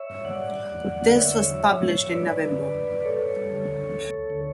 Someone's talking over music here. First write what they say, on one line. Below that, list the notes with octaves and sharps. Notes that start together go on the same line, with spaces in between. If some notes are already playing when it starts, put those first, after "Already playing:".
This was published in November.
Already playing: C#5 E5
G2
G2 D5 F#5
G2
G2
E2
E2
D3
D3 C#5 E5
E2
F#3
G2
G2
G2
G2 B4 D5
G2
D3
F#2
F#2
F#2
F#2 A4 C#5
F#2
G3
D3
D2
D2
D2
D2
D3